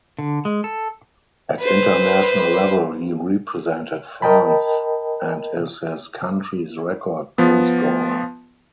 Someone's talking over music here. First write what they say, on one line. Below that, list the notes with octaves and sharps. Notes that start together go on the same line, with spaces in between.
At international level he represented France and is his country's record goalscorer.
D3
G#3
A4
B4 C5
A#4 D#5 G5 A5 B5
F3 B3